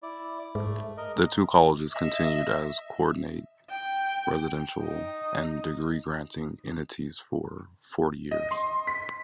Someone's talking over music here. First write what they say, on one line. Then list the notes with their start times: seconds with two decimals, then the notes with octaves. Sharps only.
The two colleges continued as coordinate residential and degree-granting entities for forty years.
0.03 E4 D5
0.39 D5
0.55 G#2 A3
0.97 A#4 D#5
1.95 D#5 E5
3.70 G5
4.82 D#4
8.31 D#5
8.51 C6
8.87 B6